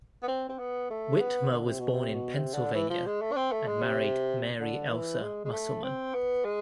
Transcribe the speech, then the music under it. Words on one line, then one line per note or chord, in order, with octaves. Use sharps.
Whitmer was born in Pennsylvania and married Mary Elsa Musselman.
B3
C4
C4
B3
A3
B3
D3
C3
B2
C3
B2
C3
D3
E3
F3
G#3
A3
D4
C4
A3
G#3
C3
D3
E3
G#3
G#3
A3
C4
B3
G#3